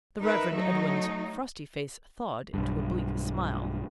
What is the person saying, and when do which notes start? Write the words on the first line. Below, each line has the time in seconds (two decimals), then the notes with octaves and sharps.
The Reverend Edwin's frosty face thawed into a bleak smile.
0.21 D#4 A#4 B4 E5
0.54 F#3 A3 D#4
2.54 B1 G2